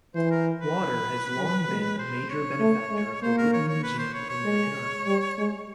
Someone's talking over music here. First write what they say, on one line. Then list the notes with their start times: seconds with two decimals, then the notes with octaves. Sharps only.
Lauder has long been a major benefactor of the Whitney Museum of American Art.
0.15 E3 C5
0.31 A#4
0.61 B4
1.37 F#3
1.68 G#3
1.99 C5
2.30 C#5
2.60 A3
2.92 G#3
3.22 A#3 C5
3.38 A#4
3.54 C#5
3.69 C#5
3.84 B4
3.99 C5
4.14 C#5
4.30 C#5
4.45 G#3
5.07 G3
5.38 G#3